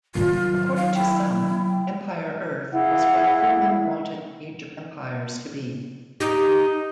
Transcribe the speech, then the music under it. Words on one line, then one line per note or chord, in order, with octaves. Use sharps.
According to some, "Empire Earth" was what Goodman wanted "Age of Empires" to be.
D#3 F#3 F4
F5
E4 G5
E4 G#4 F5 F#5
D#4 G4